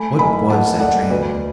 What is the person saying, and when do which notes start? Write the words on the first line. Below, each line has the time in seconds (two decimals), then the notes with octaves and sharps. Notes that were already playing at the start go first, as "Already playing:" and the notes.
What was that dream?
Already playing: A3 G#5 B5
0.19 F#1 G#5 B5
0.50 A3 F#5 A5
0.80 A3 D5 F#5
1.10 D2 B4 D5